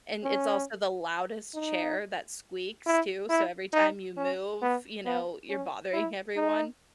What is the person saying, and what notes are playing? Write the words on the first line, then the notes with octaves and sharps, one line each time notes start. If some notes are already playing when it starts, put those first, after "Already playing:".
And it's also the loudest chair that squeaks, too, so every time you move, you know, you're bothering everyone.
C#4
D#4
E4
E4
D#4
C#4
B3
B3
C#4
E4
D#4